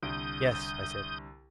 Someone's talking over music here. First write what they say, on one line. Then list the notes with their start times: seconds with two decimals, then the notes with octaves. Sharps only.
"Yes," I said.
0.03 C2 D3 D#6 G6 D7